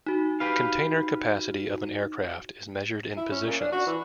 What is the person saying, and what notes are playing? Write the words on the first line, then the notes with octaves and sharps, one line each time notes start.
Container capacity of an aircraft is measured in "positions".
D#4 F#4
G4 B4 F5
E4
C#4
A#2
D4
F#4
E3